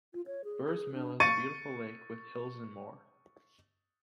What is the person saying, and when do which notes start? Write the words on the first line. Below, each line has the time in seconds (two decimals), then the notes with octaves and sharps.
Burrs Mill is a beutiful lake with hills and more.
0.14 F4
0.26 C#5
0.44 G#4
0.67 G#4
0.94 D4
1.20 C#6 A6 C#7 D#7